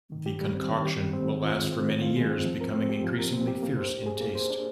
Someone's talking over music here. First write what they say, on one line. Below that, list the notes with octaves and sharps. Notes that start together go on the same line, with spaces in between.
The concoction will last for many years becoming increasingly fierce in taste.
D#3
G4
G3
C4
D#3
G4
G3
C4
D#3
F4
G#3
C4
D#3
F4
G#3
C4
F3
A#4
C4
G4
F3
A#4
C4
G4
A#3
C5
D4
G#4
A#3
C5
D4